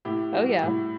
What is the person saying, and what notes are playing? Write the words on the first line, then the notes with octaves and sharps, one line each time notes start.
Oh, yeah.
A2 E4 G4
G3 F#4
A2 E4